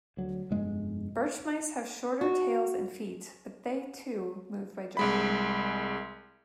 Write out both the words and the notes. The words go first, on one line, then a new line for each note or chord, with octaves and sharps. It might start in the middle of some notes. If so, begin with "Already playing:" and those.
Birch mice have shorter tails and feet, but they, too, move by jumping.
D2 F#3
F1 G2 G#3 B3
F#4
C2 G#3 B5